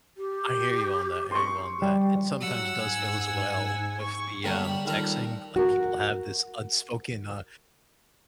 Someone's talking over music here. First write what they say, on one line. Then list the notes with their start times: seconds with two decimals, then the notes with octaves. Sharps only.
I hear you on that, I hear you on that, it sometimes does feel as well with the, um, texting, like, people have this unspoken, uh
0.17 G4
1.31 C6 C#6
1.82 G3
2.41 F#3 F#5 E6
2.83 G#2 G#5
4.02 C#6
4.44 D3 F#3 G3 A#3 B3 D4
4.64 G3 B5
4.85 D#2 G3 F4 A4 A#5
5.56 F#4 A#4